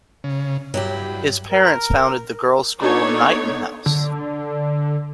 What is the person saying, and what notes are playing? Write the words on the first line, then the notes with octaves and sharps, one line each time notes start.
His parents founded the girls school Knighton House.
C#3
G2 F#3 E4 G4
A#4
B3 D4 D#4 A4 C#5
D3